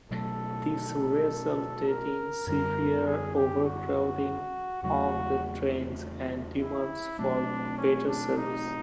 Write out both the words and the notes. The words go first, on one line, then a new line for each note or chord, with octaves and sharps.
This resulted in severe overcrowding on the trains and demands for better service.
B2 F#3 A3 A4
A#4
F#2 D3 G3 A#4
G#4
G4
F#4
E2 C#3 F#3 A3 F#4
E4
B2 F#3 A3 C4 D4
C#4
D4
D#4